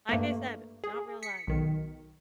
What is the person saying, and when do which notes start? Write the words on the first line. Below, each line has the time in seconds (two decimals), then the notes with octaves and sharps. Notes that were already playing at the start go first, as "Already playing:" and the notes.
Like I said, not real life.
0.09 G2 A3 A#3
0.84 G#4
1.23 B6 C#7
1.47 B1 D#3